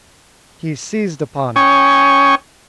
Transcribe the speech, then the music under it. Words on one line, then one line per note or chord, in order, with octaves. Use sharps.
He seized upon it.
C#4 C#5 G5 G#5 C#6 D#6